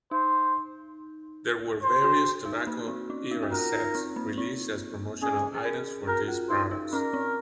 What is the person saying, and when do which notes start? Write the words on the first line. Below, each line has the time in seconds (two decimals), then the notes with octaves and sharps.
There were various tobacco era sets released as promotional items for these products.
0.11 D#4 C5
1.82 C5
2.04 F#4
2.46 D#4
2.67 A#3
2.88 C4
3.10 C#4
3.31 D#4
3.43 F#4
3.52 F4 A#4
3.73 D#4
3.95 C4
4.16 A#3
4.38 C4
5.22 C#4 G#4
5.55 G#4
5.65 A#4
6.08 F#4 A#4
6.28 F4
6.49 D#4 C5
6.71 D#4
6.93 C#4 A#4
7.13 C4